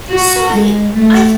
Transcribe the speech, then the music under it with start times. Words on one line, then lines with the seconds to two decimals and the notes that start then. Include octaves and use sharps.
so, I I
0.10 F#4
0.54 G#3
0.97 A3